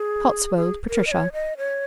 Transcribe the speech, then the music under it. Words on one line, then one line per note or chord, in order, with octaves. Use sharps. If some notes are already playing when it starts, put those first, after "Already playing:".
Cotswold Patricia.
Already playing: G#4
G#4
A#4
D#5
C#5
D#5
C#5